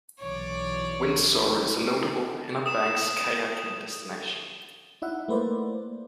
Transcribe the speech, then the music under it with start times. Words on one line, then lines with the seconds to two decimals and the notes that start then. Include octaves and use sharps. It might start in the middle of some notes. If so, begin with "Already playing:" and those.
Windsor is a notable Inner Banks kayaking destination.
0.19 B1 E3 C#5 D5
2.66 D#6 E7
5.02 D#4 E4 E5 F#5
5.28 A3 A#3 B4 C5 D5